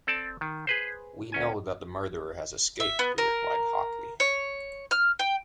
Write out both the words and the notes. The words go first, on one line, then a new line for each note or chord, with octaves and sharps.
"We know that the murderer has escaped," he replied hotly.
C4 A4 D5 A5
D#3
G#4 B4 C5
D2 C#4 G#5
E5
B3
A#4
C#5
F6
G5